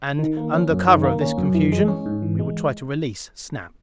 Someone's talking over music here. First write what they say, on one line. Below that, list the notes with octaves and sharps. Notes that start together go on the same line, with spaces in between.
And, under cover of this confusion, we would try to release Snap.
D#3
A#3
C#4
F#2
D#3
A#3
C#4
F#2
E3
G#3
C#4
G#2
E3
G#3